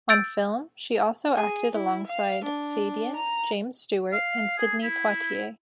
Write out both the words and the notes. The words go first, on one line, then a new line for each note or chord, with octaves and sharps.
On film, she also acted alongside Fabian, James Stewart and Sidney Poitier.
E6 G6 A6 D7
G#4
E4
F5
D4
A#5
F5
G#4
E4